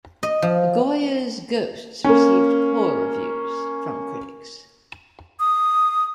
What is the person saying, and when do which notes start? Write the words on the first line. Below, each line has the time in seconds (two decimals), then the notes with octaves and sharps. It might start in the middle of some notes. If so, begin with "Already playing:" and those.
"Goya's Ghosts" received poor reviews from critics.
0.23 D#5
0.42 F3
2.04 A#3 C#4
5.40 D#6